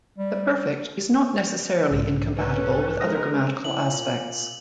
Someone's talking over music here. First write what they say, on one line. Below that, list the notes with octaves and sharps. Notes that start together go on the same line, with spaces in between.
The perfect is not necessarily incompatible with other grammatical aspects.
G3
B1 G#2
C#4 A4 B4
D3 G#3 A#4 D#6 A#6
E4 F#7
A#2